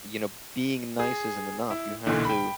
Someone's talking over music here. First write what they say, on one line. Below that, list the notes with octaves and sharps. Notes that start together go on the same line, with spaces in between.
you know? Being nice isn't enough. You have to
G#4
E4
B1 A#2 D3 E3
G5 B5